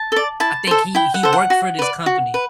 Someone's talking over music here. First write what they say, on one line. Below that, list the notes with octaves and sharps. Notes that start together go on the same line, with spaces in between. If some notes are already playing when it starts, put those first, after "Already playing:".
I think he he worked for this company,
Already playing: A5
A4 D5
E4 A5
A4 C5
E4 G5
F#5
A4 C5
F#5
F#4
B4 D5
F#4
B4